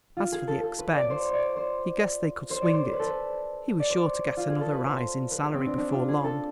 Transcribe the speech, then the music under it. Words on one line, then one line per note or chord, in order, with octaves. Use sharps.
As for the expense, he guessed they could swing it; he was sure to get another rise in salary before long.
F4
G#4
A4
A4
B4
D5
C5
D5
C5
C5
D5
C5
C5
B4
A4
B4
D5
C5
F4
G#4
A4
B4
C5
B4
G#4
C4
D4
D4
F4
G#4
A4